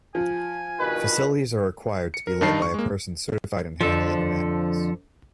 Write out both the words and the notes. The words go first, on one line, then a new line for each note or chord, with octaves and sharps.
Facilities are required to be led by a person certified in handling of animals.
F3 G#5
G2 B2 D#3 B4
C#7
A#4
G2 D#3 D#4 A5 C7
C#6
G#3 A#3
F2 D3 F3 A4